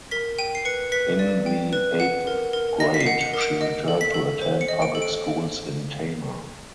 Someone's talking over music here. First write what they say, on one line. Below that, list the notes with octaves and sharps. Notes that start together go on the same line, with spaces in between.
In the eighth grade she returned to attend public schools in Tama.
A#4 B6
G5 D#7
C7
B4 C#7
B4 B6
D5
G5
B4
F#5
A#4
A#4
D#5 A#6
B6
C7
F#5
C#7
A#4
D7
D#5
A4
B6
A4
C5
C#7
D#5
D7
A4
D7